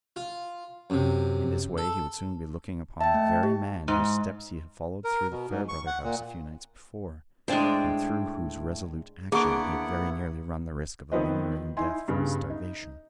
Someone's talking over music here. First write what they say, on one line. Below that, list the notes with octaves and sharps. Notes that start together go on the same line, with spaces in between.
In this way he would soon be looking upon the very man whose steps he had followed through the Fairbrother house a few nights before, and through whose resolute action he had very nearly run the risk of a lingering death from starvation.
F4
F#2 C3
A4
E5 G5 A5
A3
G4
G#2
A#4
B2
G#2
C#6
F#5
A#2
A2 G#3 D4 C5 G5
D3 A#3 B3 E4 G#4 F#5 C#6 D6
D#3 F3 B3 C4 B4 D#5
D#4 E4 G#5 C6
G2 C#3 B3
D#4